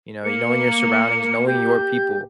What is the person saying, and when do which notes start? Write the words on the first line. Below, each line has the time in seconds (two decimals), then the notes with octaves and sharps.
you know, y knowing your surroundings, knowing your people,
0.24 A#3 C#7
1.47 G4 G6